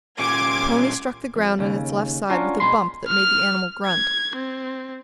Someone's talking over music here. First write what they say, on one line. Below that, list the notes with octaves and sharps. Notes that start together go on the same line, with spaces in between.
The pony struck the ground on its left side with a bump that made the animal grunt.
A#2 C#4 C6 D6 G#6
F2
D#2 C#3
C#4 D4 F4 F#4 A#4
B2 G#3 B5 C6
F6
G#6
C4